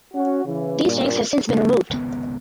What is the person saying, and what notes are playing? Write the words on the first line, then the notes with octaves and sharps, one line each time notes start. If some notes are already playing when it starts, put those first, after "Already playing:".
These tanks have since been removed.
C#4 F#4
C#3 E3
G2 A#2
C#3 B3 D4
G#1 C#2 C3 B3